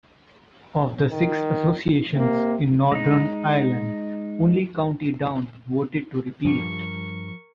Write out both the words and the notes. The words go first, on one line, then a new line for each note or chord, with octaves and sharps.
Of the six associations in Northern Ireland, only County Down voted to repeal it.
D#3
C3 A#3
G#3 D#4
G2 F3 G3 D4 A#4 C#6